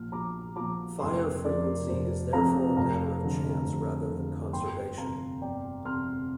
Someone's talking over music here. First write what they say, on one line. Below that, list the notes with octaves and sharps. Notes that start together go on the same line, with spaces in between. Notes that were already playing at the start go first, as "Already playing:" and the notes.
Fire frequency is therefore a matter of chance rather than conservation.
Already playing: A#1 A#2 F3 C6 F6
A#1 A#5 D6
A#2 F3 A#5 D6
F1 G5 C6
F2 C3 F3 A#4 D5
F1 C5
F2 C3 F3 F5 A#5
F1 F5 A#5
F2 D3
F1
F2 D3
G1 G5 C6
F2 C3 F5 A#5
G1 D5 G5
F2 C3 C6 F6